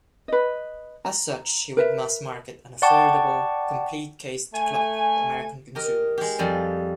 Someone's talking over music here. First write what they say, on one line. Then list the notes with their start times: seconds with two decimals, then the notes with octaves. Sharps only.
As such he would mass market an affordable, complete cased-clock to American consumers.
0.28 B4 D#5
1.05 A#5
1.77 A#4 B4 E5
2.82 D5 F#5 G5 A5 C#6 D6
4.53 A3 G#5
5.75 G4 A#4 D#5
6.18 G#3 G4
6.39 F2 G3 D#5